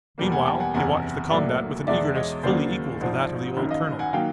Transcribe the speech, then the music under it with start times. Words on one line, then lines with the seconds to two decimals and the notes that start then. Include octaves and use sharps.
Meanwhile he watched the combat with an eagerness fully equal to that of the old colonel.
0.18 E2 B2 G3 A#3
0.32 F#5 G#5
0.46 G5 A5
0.60 F#5 G#5
0.74 F#1 E2 C3 F#5 G#5
1.30 B1 A2 F#3 A#3 D5 E5
1.87 E2 B2 G#3 D5 E5
2.15 C#5 D#5
2.43 D#2 C#3 F#3 A#3 C5 D5
3.01 A#1 G#2 F3
3.57 F#1 F#2 D#3
3.71 D#5 F5
3.99 F#5 G#5
4.13 D#3 F#3 A#3 F5 G5